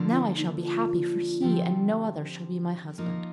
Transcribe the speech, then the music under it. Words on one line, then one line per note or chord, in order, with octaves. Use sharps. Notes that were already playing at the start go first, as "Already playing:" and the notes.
Now I shall be happy, for he and no other shall be my husband.'
Already playing: D3 F3 A#3 D4 A4
F4
D#4
F4
D3 F3 C4 G4
F3 A#3 D#4 A#4